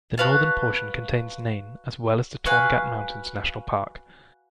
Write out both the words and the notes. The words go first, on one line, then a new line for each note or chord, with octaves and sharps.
The northern portion contains Nain as well as the Torngat Mountains National Park.
F#4 B4 F5 A5
F#4 B4 F5 G#5